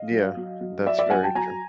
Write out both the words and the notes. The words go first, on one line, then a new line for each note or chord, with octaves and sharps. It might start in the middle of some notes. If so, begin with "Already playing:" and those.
Yeah, that's very true.
Already playing: D#5 F5
F#3
F#3
F#3
F#3 D5 E5
D5 E5
F#3 F#5 G#5
G5 A5
F#3 G#5 A#5